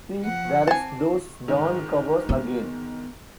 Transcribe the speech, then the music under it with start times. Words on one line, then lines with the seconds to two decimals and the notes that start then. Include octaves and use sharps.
See there's those darn covers again.
0.21 F3 F#5
0.68 C4 G#5 A5
1.48 G#2 D#3
2.29 B3